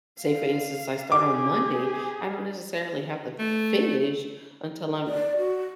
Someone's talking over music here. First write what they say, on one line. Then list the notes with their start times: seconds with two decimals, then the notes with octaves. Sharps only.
say for instance, I start on Monday, I don't necessarily have to f finish until I'm r
0.21 F5
1.12 G4 G#4 D6
3.39 A3
5.07 D5
5.37 F#4